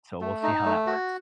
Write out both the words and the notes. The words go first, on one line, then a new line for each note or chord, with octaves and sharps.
So, we'll see how that works.
A3
D#4
A3
F#4